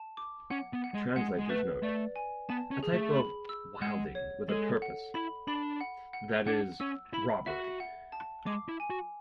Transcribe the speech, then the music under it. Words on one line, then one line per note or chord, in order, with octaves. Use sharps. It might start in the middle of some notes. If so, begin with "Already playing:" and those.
Translator's note: a type of "wilding" with a purpose, that is, robbery.
Already playing: A5
D6
C#4 F#5
B3
F#5
G#3
G#3 F#5
G#3
A3 B4
A3 D5
G#5
B3 A5
C#4
G#4
A3
B5
E6
G#3 F#5
C#5
G#3 A4
F#5
E4 B5
D4 B5
F#5
F#5
D4 F#5
C#4 E6
E4 B5
F#4 E5
F#5
A5
G#3 D6
E4
G#5
F#4